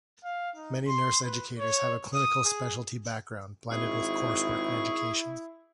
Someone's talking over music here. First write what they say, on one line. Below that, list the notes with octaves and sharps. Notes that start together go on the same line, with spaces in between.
Many nurse educators have a clinical specialty background blended with coursework in education.
F5
D#4
C6
B4
C#5
D#6
G#4
G#1 E4 G#4 C#6